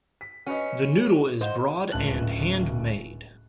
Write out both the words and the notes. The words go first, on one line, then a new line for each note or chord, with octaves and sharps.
The noodle is broad and hand-made.
B6
C#4 F#4 B4 D#5
C5 D#5 F#5
D1 C#2 A5 F#6 F#7